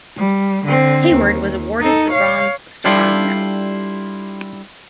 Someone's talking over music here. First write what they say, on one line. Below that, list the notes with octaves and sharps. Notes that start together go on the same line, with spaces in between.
Hayward was awarded the Bronze Star Medal.
G3
D3 C4
D#2
D#4 A4
C#5 F5
G3 D4 E4 F4 G4 A4